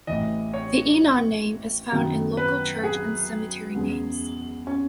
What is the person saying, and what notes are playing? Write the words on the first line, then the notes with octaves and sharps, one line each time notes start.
The Enon name is found in local church and cemetery names.
A1 A2 E3 D#5
C#5
F#2 D#3 F#3 B3
B4
G#4
E2 C#3 G#3 B3
C#4